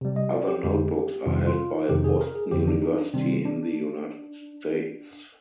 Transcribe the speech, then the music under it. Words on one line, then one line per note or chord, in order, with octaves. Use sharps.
Other notebooks are held by Boston University in the United States.
C3 G3
D#5
D5
G4
F2 D3 G#3
F2 C3 D#3 G3 F4
F4
F2 C3 D#3 G4
G#4
A#4
G#4
F2 D3 F3 G4
D4
D#4
D4
C3 D#3 G3 C4
D4